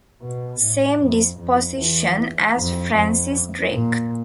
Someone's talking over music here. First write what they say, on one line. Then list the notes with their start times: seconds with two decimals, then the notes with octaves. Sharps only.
Same disposition as Francis Drake.
0.22 B2
0.61 A2
0.99 F2
1.38 F2
1.77 E2
2.55 F2
2.94 F2
3.72 A#2